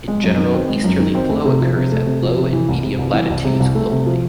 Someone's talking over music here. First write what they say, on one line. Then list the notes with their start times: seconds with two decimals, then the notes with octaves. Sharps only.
In general, easterly flow occurs at low and medium latitudes globally.
0.08 G#3
0.24 F#2
0.38 D#3
0.53 C4
0.69 G#3
0.84 F#2
1.00 D#3
1.15 C4
1.30 A3
1.45 C3
1.61 F3
1.76 C3
1.92 A3
2.06 C3
2.22 F3
2.38 C3
2.53 E3
2.69 C2
2.83 C3
2.99 C2
3.13 E3
3.30 C2
3.45 C3
3.60 C2
3.75 A3
3.91 C3
4.06 F3